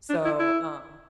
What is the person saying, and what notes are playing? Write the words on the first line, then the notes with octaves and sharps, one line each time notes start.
So, um,
D4
E4
E4